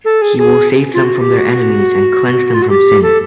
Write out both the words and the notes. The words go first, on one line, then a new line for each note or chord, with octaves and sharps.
He will save them from their enemies and cleanse them from sin.
A4
G#4
G#4
F4
F#4
G4
F#4
F4
F#4
G4
A4